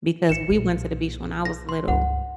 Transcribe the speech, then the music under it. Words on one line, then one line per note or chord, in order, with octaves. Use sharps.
because we went to the beach when I was little,
A1 C#7 E7
B1 A#2
A#6
C6
C#2 G2 F#5